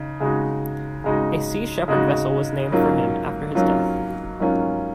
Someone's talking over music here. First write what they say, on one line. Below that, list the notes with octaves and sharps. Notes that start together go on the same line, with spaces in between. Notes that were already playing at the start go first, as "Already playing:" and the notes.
A Sea Shepherd vessel was named for him after his death.
Already playing: C#3 D#4
C#3 G#3 D#4 F#4
C#3 G#3 D#4 F#4
C#3 G#3 D#4 F#4
G#2 F#3 A#3 C#4 F4
G#2 F#3 A#3 C#4 F4
G#2 F#3 A#3 C#4 F4